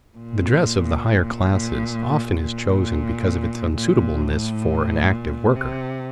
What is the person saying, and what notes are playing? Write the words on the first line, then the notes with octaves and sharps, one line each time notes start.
The dress of the higher classes often is chosen because of its unsuitableness for an active worker.
A#2
A#2
A#2
A#2
A2
A#2
C3